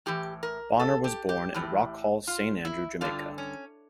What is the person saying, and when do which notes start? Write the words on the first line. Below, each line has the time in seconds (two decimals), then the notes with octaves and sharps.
Bonner was born in Rock Hall, Saint Andrew, Jamaica.
0.06 A2 E3 G4
0.43 A#4
0.79 A4
1.04 G4
1.29 G4
1.54 A2 E3
2.27 F4
2.65 E4
3.01 G2 D3 F4
3.38 C#4